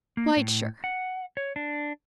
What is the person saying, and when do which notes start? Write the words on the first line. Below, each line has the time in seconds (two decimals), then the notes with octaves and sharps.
'Quite sure.
0.17 A#3
0.36 A2
0.84 F#5
1.37 C#5
1.56 D4